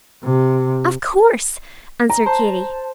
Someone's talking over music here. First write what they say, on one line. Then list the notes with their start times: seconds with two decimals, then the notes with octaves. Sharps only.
"Of course," answered Katy.
0.24 C3
2.10 A#5
2.26 C5 A5